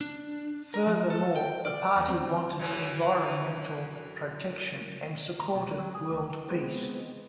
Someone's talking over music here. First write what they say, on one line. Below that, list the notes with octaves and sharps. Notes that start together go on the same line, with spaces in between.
Furthermore, the party wanted environmental protection and supported world peace.
D4
A#4
F3
A4
G5
D5
E2
C4
F#2 E3
A#5
B2
C#2
F#3
G#4
D2
G#3 B3 C4